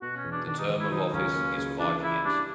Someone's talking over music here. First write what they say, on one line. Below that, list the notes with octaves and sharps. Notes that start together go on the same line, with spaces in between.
The term of office is five years.
B2 F#4
C#4
E2
D4
D#3 D4
D#4
D#3
E4
F#3 D#4
C#2 C#4
A#3
C#3
E3 D4
E3 E4
G3 D4